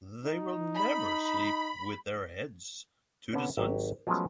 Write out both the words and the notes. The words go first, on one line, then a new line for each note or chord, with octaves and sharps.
They will never sleep with their heads to the sunset.
D#4
B5
D3 B3 C#4
G#1 F#3 G4
F3 F#3 G#3 A3 B3 C#4